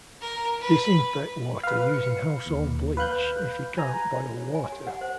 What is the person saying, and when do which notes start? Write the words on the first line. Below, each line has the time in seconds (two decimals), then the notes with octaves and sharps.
Disinfect water using household bleach, if you can’t boil water.
0.21 A#4
0.60 B4
1.63 B4 F5
1.94 C#7
2.46 D#2
2.97 B4 F5 F#6 G6
3.78 G#5 A#5
4.37 C#5
4.55 G#5
4.72 G4
4.87 F#5
5.01 C5